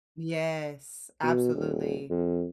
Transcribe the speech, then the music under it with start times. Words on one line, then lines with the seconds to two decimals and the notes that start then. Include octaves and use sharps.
Yes, absolutely.
1.23 B2
1.55 D#1
2.10 F2